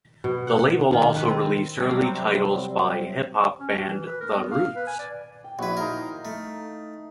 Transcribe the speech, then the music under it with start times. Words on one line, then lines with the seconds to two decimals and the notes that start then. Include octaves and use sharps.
The label also released early titles by hip hop band The Roots.
0.24 B2
0.47 F#5
0.93 D#3
1.16 B4
1.28 C4
1.77 C3 F#3 G3 C4
3.60 C#4
3.75 F#4
3.90 E3
4.07 B4
4.21 A#4
4.35 B3
4.52 F5
4.76 B4
4.87 G#5
4.99 D5
5.44 G5
5.59 A#1 E4 F#4 B4
5.77 D#4 A#4 F5 D#6
6.25 A3